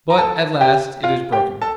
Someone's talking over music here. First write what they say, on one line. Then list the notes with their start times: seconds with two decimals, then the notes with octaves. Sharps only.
'But at last it is broken.
0.10 A#5
0.18 A4 A5
0.61 G4 G5
1.03 F4 F5
1.32 G4 G5
1.62 A4 A5